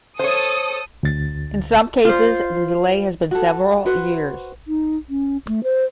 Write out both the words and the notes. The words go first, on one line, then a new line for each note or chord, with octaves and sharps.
In some cases, the delay has been several years.
A4 C5 C#5 D#6
D2 A6
F4 C5
F#4 A4
F#4 B4 C5
D#4
C#4
A3
C5